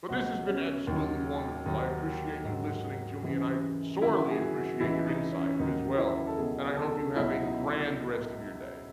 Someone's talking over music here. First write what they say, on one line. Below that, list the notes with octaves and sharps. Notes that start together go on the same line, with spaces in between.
But this has been absolutely wonderful, I appreciate you listening to me, and I sorely appreciate your insight, as well. And I hope you have a grand rest of your day.
C#2 B2 F#3 F#4
C#4
D#2 D#3 F#3
D#2 D#3 F#3 D#4
G#2 F#3
F#2 C#3 E3
F#2 D#3 F#3 E4
G#4
F#4
C#2 C#3 E3 E4
D#4
C#4
D#2 C#3 F#3 D#4
E4
A4
C#2 B2 F#3 G#4
G#4
A4
C#2 B2 F#3 E4
D#4